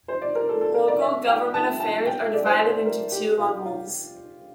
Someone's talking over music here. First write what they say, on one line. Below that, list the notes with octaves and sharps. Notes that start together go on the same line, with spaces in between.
Local government affairs are divided into two levels.
C5
D5
A#4
A4
A4
A#4
D5
E5
G5
A5
A5
G5
E5
D5
C5
A4
A#4
G4
F4
F4